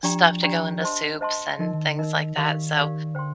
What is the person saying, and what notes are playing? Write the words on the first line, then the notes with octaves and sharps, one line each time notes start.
stuff to go into soups and things like that, so
F3 D4 G4 D5 G5 A#5
D4 G4 D5 G5 A#5
C5 D#5 A5 C6
C5 D#5 A5 C6
F3 D#4 A#4 D#5
D#3
D3
D#3 D#4 A#4 D#5
D#3 G4 A#4 D5 F5
G4 A#4 D5 F5
D3 C5 G5 C6